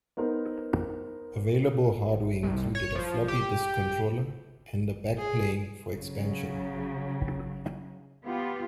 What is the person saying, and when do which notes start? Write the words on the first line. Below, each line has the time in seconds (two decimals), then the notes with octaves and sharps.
Available hardware included a floppy disk controller and a backplane for expansion.
0.17 B3 D#4 A#4 C5
2.43 C2
2.75 C#5
2.95 F3
3.28 G4
5.18 G#4
5.95 C#3 F#3
8.26 B3 F4 G4